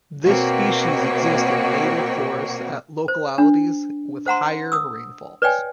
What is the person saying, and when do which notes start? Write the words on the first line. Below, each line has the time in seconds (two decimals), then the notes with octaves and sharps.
This species exists in native forests at localities with higher rainfalls.
0.25 B2 A#3 C4 F#4 C#5
3.08 C5
3.38 D4
4.26 C5 F#5 A#5 C6
4.72 D#6 E6
5.42 B4 C#5 D5 G5 G#5